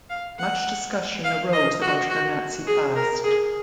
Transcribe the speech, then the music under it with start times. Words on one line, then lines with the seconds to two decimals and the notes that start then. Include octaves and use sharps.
Much discussion arose about her Nazi past.
0.09 F5
0.38 F#5
1.24 F5
1.53 D#5
1.81 F#4
2.10 F#4
2.67 G#4
2.95 A#4
3.24 G#4